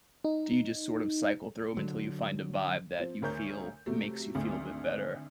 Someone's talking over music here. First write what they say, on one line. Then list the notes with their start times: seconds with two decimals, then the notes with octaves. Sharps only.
do you just sort of cycle through 'em until you find a vibe that you feel makes you feel a bit better?
0.24 D#4
1.77 D3 F#3
2.99 F3 C4
3.22 D2 A#4 C#5 G6
3.86 C3 F#3 A3
4.35 G#1 D2